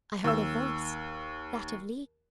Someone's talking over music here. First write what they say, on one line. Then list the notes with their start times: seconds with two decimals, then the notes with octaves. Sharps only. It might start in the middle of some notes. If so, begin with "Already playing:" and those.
I heard a voice, that of Leo.
0.24 D#2 E6